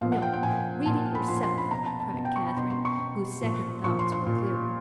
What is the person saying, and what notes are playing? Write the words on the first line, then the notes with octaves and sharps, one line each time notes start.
"No, read it yourself," cried Catherine, whose second thoughts were clearer.
A#2 F3 F5
F#5
G5
G5
A#2 F3 G#5
A#2 F3 A5
B5
A#2 F3 C6
C6
B5
B2 A#5
A5
A5
B2
G5
C#6
B5
B2 C6
C6
C#6
B2
A#2 F3
A#2 F3 C#6
C6
C6
A#2 F3